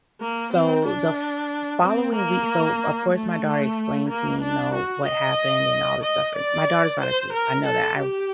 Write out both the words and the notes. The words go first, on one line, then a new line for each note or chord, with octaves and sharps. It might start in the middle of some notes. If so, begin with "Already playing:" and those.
So, the f following week so, of course, my daughter explained to me, you know, what happened and all this stuff. My daughter's not a thief, I know that. I
A#3
C4
D4
C4
A#3
A3
A#3
D4
F#4
D#5
D#5
D5
C5
A#4
A4
G4